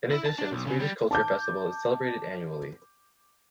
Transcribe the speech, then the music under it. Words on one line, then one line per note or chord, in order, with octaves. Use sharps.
In addition, the Swedish culture festival is celebrated annually.
E4
A5
D4
B1
C#3
G3
A5 D6 G6